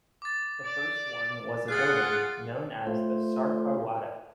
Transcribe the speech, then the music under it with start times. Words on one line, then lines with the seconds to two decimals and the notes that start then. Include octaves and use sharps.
The first one was a building known as the Sarkar Wada.
0.22 D6 A6
0.64 D5
1.68 F4 G#4 F#5 F#6 A6
2.87 A3 F4 C5